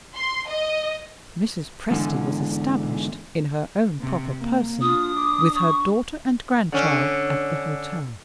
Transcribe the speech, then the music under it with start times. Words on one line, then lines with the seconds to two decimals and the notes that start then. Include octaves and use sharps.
Mrs. Presty was established, in her own proper person, with her daughter and grandchild at the hotel.
0.14 C6
0.48 D#5
1.91 E2 G#2 D3 E3
4.01 C3
4.39 A#3
4.81 D4 F4 D#6
5.16 D6
5.56 C#6
6.72 D3 C#4